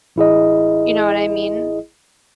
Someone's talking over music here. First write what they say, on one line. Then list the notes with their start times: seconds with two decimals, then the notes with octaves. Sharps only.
you know what? I mean,
0.16 A1 E4 G#4 D#5